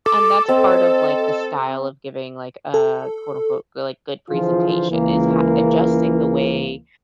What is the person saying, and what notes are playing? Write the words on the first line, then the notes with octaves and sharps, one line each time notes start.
And that's part of, like, the style of giving, like, a quote unquote, like, good good presentation is h adjusting the way,
A4 D6
C4 D#5
A4
D3 E3 F3 F4 G#4 C5
C#2 E3 A#3